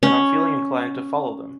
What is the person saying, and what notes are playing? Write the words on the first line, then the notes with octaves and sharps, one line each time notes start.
And I’m feeling inclined to follow them.
C#4